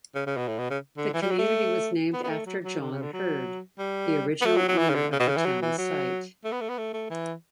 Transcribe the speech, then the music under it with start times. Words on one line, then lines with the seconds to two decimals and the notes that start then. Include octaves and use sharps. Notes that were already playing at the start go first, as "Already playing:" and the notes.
The community was named after John Hurd, the original owner of the town site.
0.15 C#3
0.26 C#3
0.37 B2
0.47 A2
0.59 B2
0.70 C#3
0.97 D3
1.13 E3
1.22 G3
1.31 F#3
1.38 A3
2.13 B3
2.23 B3
2.29 A3
2.46 F#3
2.63 F#3
2.80 D3
2.91 C#3
3.02 D3
3.13 F#3
3.78 G3
4.41 B3
4.45 A3
4.56 F#3
4.68 F#3
4.78 E3
4.89 C#3
4.95 D3
5.12 C#3
5.19 B2
5.28 C#3
5.36 E3
5.45 F#3
5.62 E3
5.78 F#3
6.44 A3
6.52 B3
6.61 A3
6.69 B3
6.78 A3
6.93 A3
7.10 E3